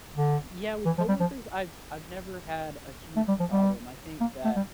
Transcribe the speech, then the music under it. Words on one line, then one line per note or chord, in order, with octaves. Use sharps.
Yeah, with coworkers, I've I've never had a huge problem. I think that
D3
E3
F3
G3
F3
A3
G3
F3
G3
A#3
A3
G3